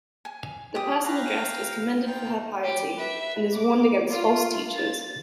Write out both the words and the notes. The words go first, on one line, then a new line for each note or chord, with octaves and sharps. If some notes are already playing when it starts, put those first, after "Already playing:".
The person addressed is commended for her piety, and is warned against false teachers.
G#5
G4 D#6
B4 F5 G5 A#5
D#4 F4 G5
G4
B4 E5
D6
F4
A6